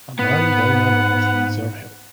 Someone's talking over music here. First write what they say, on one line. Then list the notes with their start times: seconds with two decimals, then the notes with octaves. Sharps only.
A man down on earth needs our help.
0.19 G#2 B3 F#5